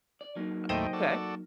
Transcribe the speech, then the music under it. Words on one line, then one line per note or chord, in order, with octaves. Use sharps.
Uh, okay.
D5
F#3 A#3 D#4
D#2 A2 A3 C5 D#5 G5
F#4 A4 D5